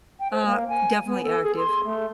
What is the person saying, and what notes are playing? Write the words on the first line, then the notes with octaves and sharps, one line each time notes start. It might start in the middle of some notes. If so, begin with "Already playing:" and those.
Uh, definitely active.
G5
C5
A#3
G#5
B3
A4
G#4
C6
A3